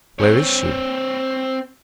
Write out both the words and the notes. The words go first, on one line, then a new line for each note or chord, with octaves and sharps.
"Where is she?"
C4 C#5